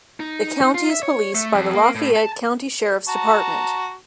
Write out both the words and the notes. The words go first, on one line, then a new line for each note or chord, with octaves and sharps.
The County is policed by the Lafayette County Sheriff's Department.
D#4
F4
E5
C#5
A3
F2
A#3
A2
A5
F#4 A5 A#5